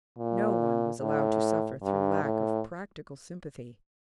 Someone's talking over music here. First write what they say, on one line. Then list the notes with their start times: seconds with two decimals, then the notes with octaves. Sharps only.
No one was allowed to suffer through lack of practical sympathy.
0.18 A#2
1.00 A2
1.83 G2
2.23 A2